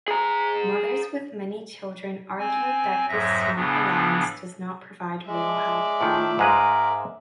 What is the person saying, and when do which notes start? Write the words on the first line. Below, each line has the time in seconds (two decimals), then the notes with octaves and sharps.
Mothers with many children argued that this small allowance does not provide real help.
0.08 G#4 A#5
2.39 C4 G#5
3.08 F2 G#2 F#3 E5 A#6
3.56 A2 C#3 E3 B3 D4
5.27 G#3 D5 E5
6.01 A2 D#3 A3 F4 A4
6.39 G#2 G#3 A#4 B4 F5 A#5